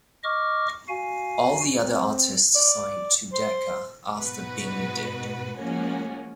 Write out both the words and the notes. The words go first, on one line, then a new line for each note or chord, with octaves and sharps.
All the other artists signed to Decca after Bing did.
D#5 C#6 D6 F6
F#4 F5 G#5
C4
D5
C5
G#2 B2 F#4 B4
F3 G#3 A#3 C#4 F#4